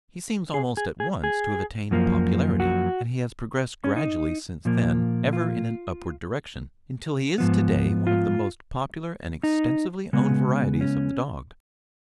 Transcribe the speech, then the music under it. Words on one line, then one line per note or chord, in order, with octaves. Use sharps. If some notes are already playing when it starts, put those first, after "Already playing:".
He seems almost at once to have attained popularity, and he has progressed gradually since then, ever in an upward direction, until he is to-day one of the most popular and extensively owned varieties of the dog.
G#4
G#4
G#4
G#4
F#2 F3 A#3
F#4
C#4
D#4
A#2 F3 A#3
F4
G#2 F3 B3
F4
D#4
C#3 G#3 B3
C#4